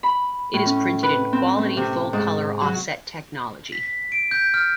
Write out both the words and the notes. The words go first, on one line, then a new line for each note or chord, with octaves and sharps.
It is printed in quality full colour offset technology.
B5
A2
C#4
B4
C4
A3
C3
G#2
F#3
B6
B6
D7
G6
F6